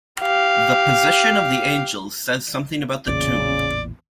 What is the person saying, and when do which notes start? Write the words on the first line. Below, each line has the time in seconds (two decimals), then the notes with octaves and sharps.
The position of the angels says something about the tomb.
0.21 G4 F5
3.08 A1 E2 A#2 C#3 D5